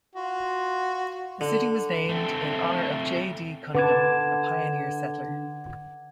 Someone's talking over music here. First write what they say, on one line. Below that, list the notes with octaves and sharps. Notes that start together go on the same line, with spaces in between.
The city was named in honor of J. D. Cunningham, a pioneer settler.
F4 F#4
D3
A3 C4
D3 B4 F#5 A5 D6 G#6